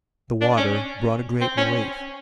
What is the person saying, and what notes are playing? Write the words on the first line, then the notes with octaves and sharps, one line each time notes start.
The water brought a great relief.
D4
C#4
C4
C#4